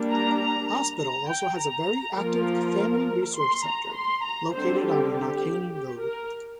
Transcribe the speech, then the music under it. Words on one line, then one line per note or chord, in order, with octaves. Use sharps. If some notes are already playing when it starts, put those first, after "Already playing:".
Hospital also has a very active Family Resource Centre located on the Knockainey Road.
Already playing: G3 A#3 D4
A#5
A#5
A#5
A#5
G5
A#5
F3 A#3 F4 A#4
C6
A#5
C6
A#5
D3 G3 C4 C5
G4
G4
G4
A#4